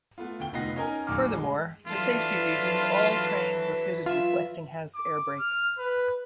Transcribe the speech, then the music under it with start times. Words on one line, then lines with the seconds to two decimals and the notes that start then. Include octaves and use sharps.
Furthermore, for safety reasons all trains are fitted with Westinghouse air brakes.
0.18 A3 B3 F4
0.40 D2 A3 G5 G7
0.53 F1 B3 D#4 F4 A#6 C7
0.76 C#4 D#4 A#4 G#5
1.07 D1 A#1 F#2 D#3 D6 F6
1.35 G#3
1.87 E3 F#3 D4 F4 A4 B4
4.06 F4 E5
4.95 D6
5.40 F6
5.78 B4